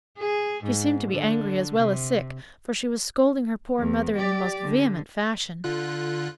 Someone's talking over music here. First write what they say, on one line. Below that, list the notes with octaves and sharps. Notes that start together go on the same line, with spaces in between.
She seemed to be angry as well as sick, for she was scolding her poor mother in the most vehement fashion.
G#4
G#2
D3
C3
E2
G4 D5
D3
D3 F4 F#6